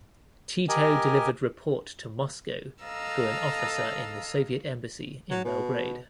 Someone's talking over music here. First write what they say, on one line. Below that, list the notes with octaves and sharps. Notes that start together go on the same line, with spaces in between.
Tito delivered report to Moscow through an officer in the Soviet Embassy in Belgrade.
G4 A#4 D#5 G#5
A4 D#5 F5 A#5 E6
F#3
B2